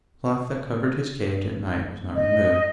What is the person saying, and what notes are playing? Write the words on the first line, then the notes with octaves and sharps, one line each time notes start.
The cloth that covered his cage at night was not removed.
D#5